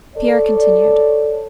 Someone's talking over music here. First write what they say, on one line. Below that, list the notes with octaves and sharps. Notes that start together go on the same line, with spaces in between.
Pierre continued.
A4 C#5 D5